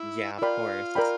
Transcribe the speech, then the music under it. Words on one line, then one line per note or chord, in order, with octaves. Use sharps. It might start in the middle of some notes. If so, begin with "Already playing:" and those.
Yeah. Of course.
Already playing: E4
E4
F4 A#4 D5 G5 B5
A#4 D5 G5 B5